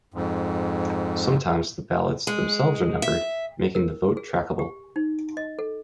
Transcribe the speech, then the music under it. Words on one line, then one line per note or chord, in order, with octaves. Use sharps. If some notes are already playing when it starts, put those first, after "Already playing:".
Sometimes the ballots themselves are numbered, making the vote trackable.
F2 G#2
G#3
E5
A#4
G#4
G4
D#4
D#5
A4